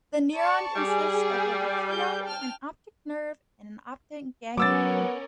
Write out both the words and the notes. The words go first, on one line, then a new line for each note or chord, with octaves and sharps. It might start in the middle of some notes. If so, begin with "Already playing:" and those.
The neuron consists of a retina, an optic nerve, and an optic ganglion.
D5 A5 C#6
G3 G#4
G#4 G6
G5 A5 F6
F#3 B3 C#4 A#4 D6 E6 A6